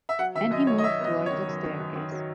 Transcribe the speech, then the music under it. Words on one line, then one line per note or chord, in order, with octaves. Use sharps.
And he moved towards the staircase.
E5
F#3 F#5
D#3 E5
F#2 D#5
D#3 C#5
D#5
F#3 E5
B3 D#5
F#2
C#5
D#3
F#2
D#3
F#2
D#3
F#3